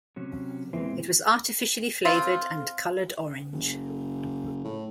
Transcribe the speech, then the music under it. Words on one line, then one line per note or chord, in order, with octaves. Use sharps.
It was artificially flavoured and coloured orange.
C3 F#3 C#4
E2 A#2 E3 G#3 C4
C4 F4
F#1
A2